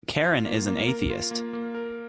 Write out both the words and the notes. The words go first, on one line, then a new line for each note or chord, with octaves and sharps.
Karen is an atheist.
F4
A#3
A#3
A#4
F4
A#3
A#3
A#4